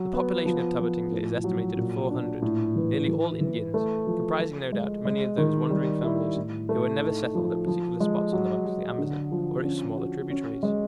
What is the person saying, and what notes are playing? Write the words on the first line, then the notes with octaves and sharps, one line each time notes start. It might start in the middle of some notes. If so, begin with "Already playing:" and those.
The population of Tabatinga is estimated at four hundred, nearly all Indians, comprising, no doubt, many of those wandering families who are never settled at particular spots on the banks of the Amazon or its smaller tributaries.
Already playing: F#3
B3
F3
F3
A2
F#3
A#2
D4
A2
E3
E3
E3
A3
F3
F3
G#3
G#3
D#3
G3
E4
A2
A3
D#4
F3
F3
G#3
F#3
F#3
D3
F3
C#4
F#4
C#4
G#3